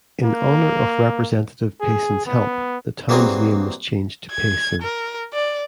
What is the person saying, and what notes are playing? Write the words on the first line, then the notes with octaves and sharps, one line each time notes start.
In honor of Representative Payson's help, the town's name was changed to "Payson".
A#3
G#4
B3
E3 F#3 G3 A#3 C4 G#4
G#6
A#4
D5